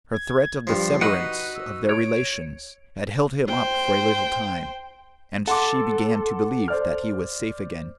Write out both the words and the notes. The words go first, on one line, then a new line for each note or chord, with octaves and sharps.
Her threat of the severance of their relations had held him up for a little time, and she began to believe that he was safe again.
G#6
G2 F3 C7
D#4 F#4 B4 F#5
E6
C#5 D7
C5 G5
A4 F#5 C6 D6
C5 D5 F6